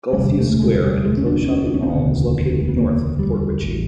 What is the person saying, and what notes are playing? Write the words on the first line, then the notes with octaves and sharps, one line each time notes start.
Gulf View Square, an enclosed shopping mall, is located north of Port Richey.
G#3
E1 D2 C3 G3
A3
G#3
G3
G#3
C#4
D4
D4
C#4
D4
C#4
C4
E1 D2 C#3 B3
B3
A#3
G3
A1